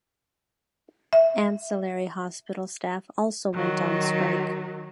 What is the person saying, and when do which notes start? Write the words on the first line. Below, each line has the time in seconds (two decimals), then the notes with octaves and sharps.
Ancillary hospital staff also went on strike.
1.13 E5
3.54 D#3 F#3